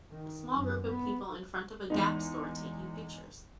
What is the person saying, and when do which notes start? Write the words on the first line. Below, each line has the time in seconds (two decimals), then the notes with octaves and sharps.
A small group of people in front of a Gap store taking pictures.
0.12 D#3
0.53 F#2
0.88 B3
1.90 E2 G#3 D#4